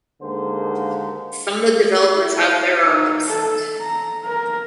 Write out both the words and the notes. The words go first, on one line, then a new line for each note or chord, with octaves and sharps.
Some of the developers out there are upset.
D#2 D3 G#3 A#3 C5
E4
D#4
A4
A#5
A#4